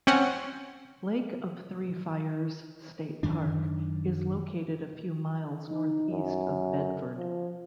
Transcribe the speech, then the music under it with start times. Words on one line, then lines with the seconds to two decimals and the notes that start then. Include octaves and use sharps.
Lake of Three Fires State Park is located a few miles northeast of Bedford.
0.07 C4 C#4 C#5 F#5 G#5
3.23 F#2 D#3 D4
5.69 D#4
6.11 F#2
7.18 F3